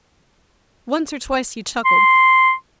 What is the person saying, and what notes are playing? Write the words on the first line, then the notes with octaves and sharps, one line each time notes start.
Once or twice he chuckled.
C6